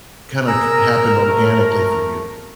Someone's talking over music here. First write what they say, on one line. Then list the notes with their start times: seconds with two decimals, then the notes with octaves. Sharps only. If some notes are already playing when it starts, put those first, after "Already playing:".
kinda c happen organically for you?
0.47 G#4 A#4 A#5 E6
1.27 A3